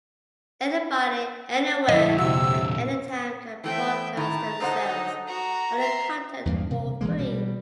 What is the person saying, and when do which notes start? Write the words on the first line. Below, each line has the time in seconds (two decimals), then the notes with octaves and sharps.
Anybody, anywhere, at any time can broadcast themselves or their content for free.
1.89 F2 A#2 E4 D#5
2.19 C3 F#4 E6
3.64 E3 A3 C4 E5 G5
4.17 A2 D#3 A5 A#5
4.60 D3 F#3 D#4 A4 C5 F#5
5.27 F#4 A#5
5.78 E5 C6
6.46 E2 G2 A#3
6.71 C3
7.01 A#1 E3 G#3 A#3
7.18 B2 G3